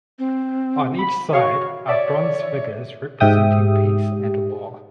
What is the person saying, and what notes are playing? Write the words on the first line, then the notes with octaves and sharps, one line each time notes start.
On each side are bronze figures representing peace and war.
C4
B5
F#4 C#5 F5 C#6
C#5 D5 E5
G#2 G4 E5 G5 D#6